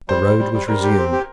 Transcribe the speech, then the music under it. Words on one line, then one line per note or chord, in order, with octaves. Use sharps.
The road was resumed.
G3 C5
G3
G3
G3
G3 A#4
G4
C4
G4